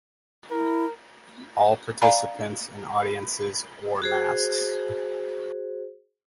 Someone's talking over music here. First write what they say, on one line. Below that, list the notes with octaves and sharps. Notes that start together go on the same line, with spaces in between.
All participants and audiences wore masks.
E4 A#4
D5 F5 G#5 A#5 B5
F#4 G#4 C5